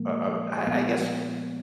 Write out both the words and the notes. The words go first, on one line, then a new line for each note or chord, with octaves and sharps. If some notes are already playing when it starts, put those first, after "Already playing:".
uh, I I guess
Already playing: A#2 F3 G#3 A#3
A#2 F3 G#3 B3